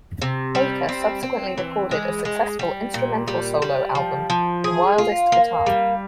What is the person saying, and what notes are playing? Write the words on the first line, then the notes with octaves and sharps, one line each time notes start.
Baker subsequently recorded a successful instrumental solo album, "The Wildest Guitar".
C3
G3
C4
C4
E3
G#3
G#3
G3
A#2
G3
G3
F3
F3
G#4
F4
A#3
G3